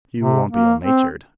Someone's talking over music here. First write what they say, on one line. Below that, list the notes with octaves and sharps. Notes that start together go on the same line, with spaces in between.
"You won't be ill-natured?"
C3
A#3
C4